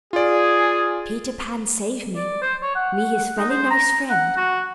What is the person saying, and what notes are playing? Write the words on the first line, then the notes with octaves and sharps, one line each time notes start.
'Peter Pan save me, me his velly nice friend.
F4 G#4 D5
D5
C5
C#5
F#5
D#4
C5
A#5
F#5
F#4